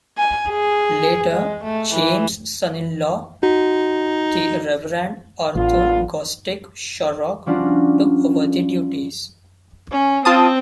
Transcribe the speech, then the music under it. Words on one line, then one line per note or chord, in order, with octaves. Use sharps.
Later James' son-in-law the Reverend Arthur Gostick Shorrock took over the duties.
G#5
G#4
G#3
A3
E3
D#4 F#4
A1 D3 B3 F4
F3 G3 C#4 D4 F4 F#4
C#4
C4 F4 A5 D#6